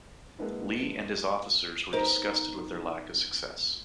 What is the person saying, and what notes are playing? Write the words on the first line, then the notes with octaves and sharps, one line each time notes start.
Lee and his officers were disgusted with their lack of success.
G#3 A#3 B3 D4 E4
B3 D#4 A#4 C5